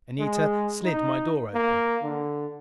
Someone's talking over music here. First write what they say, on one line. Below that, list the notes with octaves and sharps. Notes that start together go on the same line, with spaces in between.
Anita slid my door open.
G#3
D#4
A#3
D3